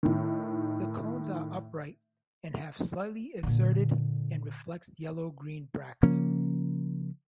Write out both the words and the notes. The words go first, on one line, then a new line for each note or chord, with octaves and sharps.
The cones are upright and have slightly exserted and reflexed yellow-green bracts.
A2 D#3
A#2 D3
C#3 F3 A#3 C#4